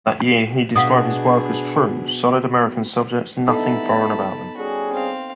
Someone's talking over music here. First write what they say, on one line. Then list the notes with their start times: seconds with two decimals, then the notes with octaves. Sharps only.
That year he described his work as true, solid American subjects-nothing foreign about them.
0.76 B2 D4 G#4 F5 F#5 D#6
3.48 G2 D3 B3 D#4 E4 A4 A5 B5
4.57 G3 C#4 F#4 G#4
4.93 C4 F5